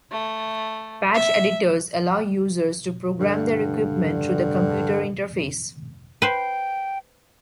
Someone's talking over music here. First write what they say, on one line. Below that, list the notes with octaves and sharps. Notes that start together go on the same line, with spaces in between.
Patch editors allow users to program their equipment through the computer interface.
A3
E5
G2 D3
B4 C5 G5